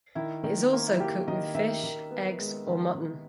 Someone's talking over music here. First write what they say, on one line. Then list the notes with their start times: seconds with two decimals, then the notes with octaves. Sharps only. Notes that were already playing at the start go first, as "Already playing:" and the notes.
It is also cooked with fish, eggs or mutton.
0.15 D#3 E4
0.44 D#3
0.72 A#3
0.88 E4
0.99 A#3 G4
1.28 D#3 D#5
1.55 D#3 E5
1.83 D#3
2.11 B3
2.39 G#3
2.67 D#3
2.95 D#3